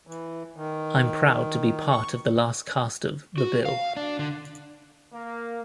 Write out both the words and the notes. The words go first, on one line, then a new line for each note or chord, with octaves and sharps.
I'm proud to be part of the last cast of "The Bill".
E3
D#3
C#6
F#4
F5
D4
D3
A#3